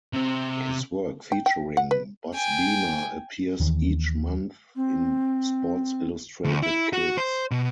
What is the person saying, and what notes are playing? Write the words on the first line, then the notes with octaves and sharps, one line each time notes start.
His work featuring Buzz Beamer appears each month in "Sports Illustrated Kids".
C3 C4
G5
G5
F#5
B4
G5 G#5
D#2 D#3 E3
C4
D2
E4
F#4
C5
B2